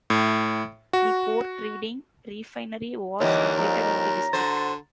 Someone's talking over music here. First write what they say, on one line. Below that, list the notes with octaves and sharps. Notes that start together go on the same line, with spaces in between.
The Port Reading Refinery was located in the district.
A2
F#4
D#2 D3 E3 G3 C#5 D#5
F2 A#5
D3 F#4 C5 A6